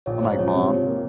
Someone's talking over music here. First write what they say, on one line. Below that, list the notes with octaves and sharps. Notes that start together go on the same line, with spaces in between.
I'm, like, "Mom,
A#1 C#5
G#2 C5
F3 C#5
C3
F3
A#3